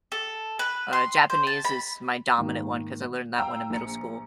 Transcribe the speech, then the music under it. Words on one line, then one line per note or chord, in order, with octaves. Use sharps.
uh, Japanese is my dominant one 'cause I learned that one in middle school.
A4
B4
C6
C5
A5
B5
G#2 D#3 A#3
F5 G5 A#5 E6
A#1 A#5 C#7